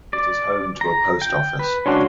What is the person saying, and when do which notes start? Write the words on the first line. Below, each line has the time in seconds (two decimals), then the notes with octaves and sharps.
It is home to a post office.
0.13 D5
0.81 A#5
1.22 G5
1.59 B4
1.86 C#3 G#3 C#4 D4 F#4 C6